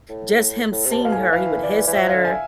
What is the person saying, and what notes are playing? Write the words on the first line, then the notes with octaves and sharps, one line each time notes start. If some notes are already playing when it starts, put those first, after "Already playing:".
Just him seeing her, he would hiss at her,
A2
A2
C3
A5
B2 F5
G#5
A2
E3 F5
D5
E3
F3 E5
F5
D3
G#5